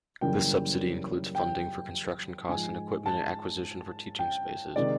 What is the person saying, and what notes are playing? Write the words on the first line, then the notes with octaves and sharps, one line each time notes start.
This subsidy includes funding for construction costs and equipment acquisition for teaching spaces.
F#2 C#3 E3 G3 A#3 G5
G5
G#2 F3 G#3 G#5
A5
G5
C3 D#3 G#3 D5